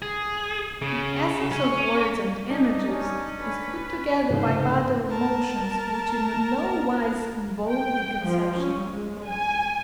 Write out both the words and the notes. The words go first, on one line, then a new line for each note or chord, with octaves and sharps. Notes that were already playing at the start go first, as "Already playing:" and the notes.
The essence of words and images is put together by bodily motions, which in no wise involve the conception of thought.
G#4
C#3
C#4
D4 D#4
C#4
B4
F1 C#2 G#2 C5
A#4 A5
G5
F3
C#4
G#3
G#5